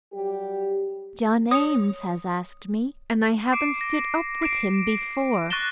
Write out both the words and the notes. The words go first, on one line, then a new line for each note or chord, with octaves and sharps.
John Eames has asked me, and I haven't stood up with him before.
F#3 G3 G4
C#5 D#6 C#7 F7
D6 C7 D7
A#6
C7 D7 E7
C#6 F#6 A6 A#6 E7 G7